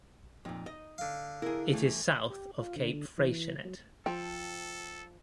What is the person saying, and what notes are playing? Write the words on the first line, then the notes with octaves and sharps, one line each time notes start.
It is south of Cape Freycinet.
F2 A#2 D#4
D#5
D3 F5
E4 G#4 A#4
E3 G3 A3
G4
F4
D3
E3
F#3
F3 A4 G5